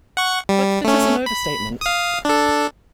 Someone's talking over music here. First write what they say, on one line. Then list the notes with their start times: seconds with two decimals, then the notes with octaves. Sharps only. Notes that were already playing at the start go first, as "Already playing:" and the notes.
But this is an overstatement.
0.17 F#5 C#6
0.49 G3
0.84 A3 C#4
1.26 B5
1.81 F5 D#6
2.25 D4 A4